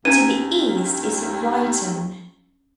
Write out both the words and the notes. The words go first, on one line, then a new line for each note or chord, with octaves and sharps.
To the east is Ryton.
D#2 C#4 D4 B4 A#5 G#6 D#7